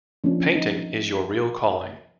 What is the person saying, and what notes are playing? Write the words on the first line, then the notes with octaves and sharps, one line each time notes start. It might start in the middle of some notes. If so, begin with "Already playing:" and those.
Painting is your real calling.
F3 A#3 C#4 D4
D#4